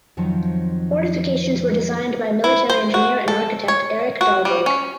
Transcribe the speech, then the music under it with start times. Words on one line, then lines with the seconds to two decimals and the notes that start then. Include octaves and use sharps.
Fortifications were designed by military engineer and architect Erik Dahlberg.
0.17 F2 D#3 F3 F#3
2.44 E4
2.70 C5
2.94 F#4
3.28 A4
3.68 C#5
4.21 F#4
4.45 G3
4.66 C#4